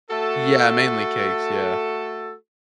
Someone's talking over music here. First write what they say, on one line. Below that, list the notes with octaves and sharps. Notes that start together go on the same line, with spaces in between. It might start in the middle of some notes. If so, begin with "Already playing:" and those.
Yeah, mainly cakes, yeah.
A3 F#4 A4